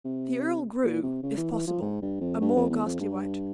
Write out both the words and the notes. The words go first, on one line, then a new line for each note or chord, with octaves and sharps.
The earl grew, if possible, a more ghastly white.
C3
A#2
C3
C#3
E3
E3
F3
G#2
G2
F2
G2
F2
E2
F2
G2